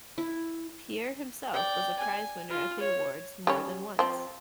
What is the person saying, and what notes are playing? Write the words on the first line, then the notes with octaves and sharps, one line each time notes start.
Pierre himself was a prize winner at the awards more than once.
E4
D5 G5
G#5
F4
C#5
G3 C#4 C#5
F3 C4